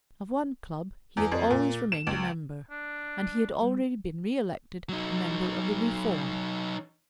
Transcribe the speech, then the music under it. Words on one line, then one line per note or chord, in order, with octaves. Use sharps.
Of one club he had always remained a member, and he had already been re-elected a member of the Reform.
E2
F2
A#2
E7
C#2
D4
G3
F#3 D#4